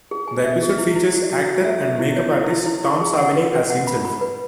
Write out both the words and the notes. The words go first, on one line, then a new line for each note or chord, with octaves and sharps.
The episode features actor and makeup artist Tom Savini as himself.
G#4
G#5
E5
G#4
E4
E4
F#4
F#4
F#4
E5
E5
E4
C#5
E4
E4
E4
G#4
G#4
F#5
B4
B4
F#5
B5
B5
B4